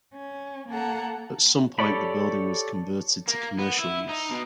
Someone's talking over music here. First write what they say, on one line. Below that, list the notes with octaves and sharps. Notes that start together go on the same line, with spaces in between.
At some point the building was converted to commercial use.
C#4
A#3 A4 F#5 A5 A#5
G4 A4 C#5 D5 B5
A#3
B3
E4
D#4
B2